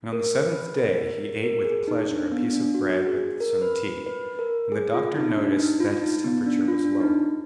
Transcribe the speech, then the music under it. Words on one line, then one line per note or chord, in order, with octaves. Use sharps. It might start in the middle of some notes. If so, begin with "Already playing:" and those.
But on the seventh day he ate with pleasure a piece of bread with some tea, and the doctor noticed that his temperature was lower.
A#4
B4
A#4
A#4
G#4
D#4
D4
B3
D4
F#4
G#4
A#4
B4
B4
A#4
G#4
F4
D#4
D4
D#4
F4
D#4
B3
D4
F4
D4
D#4